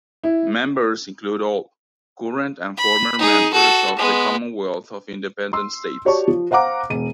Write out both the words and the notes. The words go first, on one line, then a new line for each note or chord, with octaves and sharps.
Members include all current and former members of the Commonwealth of Independent States.
E4
B5
D#4 G#4
F#4 A4
G#3 B3
C6 E6
F#4 G4 C#5 D5 A5 C#6
F3
C5 F5 F#5 A#5 D6
E1 D#7